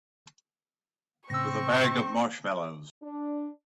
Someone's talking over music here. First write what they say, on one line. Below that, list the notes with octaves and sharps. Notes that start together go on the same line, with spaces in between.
With a bag of marshmallows.
A2 C#3 C4 C#6 E6 A#6
D4